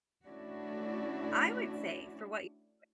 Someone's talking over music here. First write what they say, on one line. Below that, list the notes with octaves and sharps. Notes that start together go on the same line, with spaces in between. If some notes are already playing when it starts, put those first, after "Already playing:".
I would say for what you're
A3 C#4 D4 E4 F#4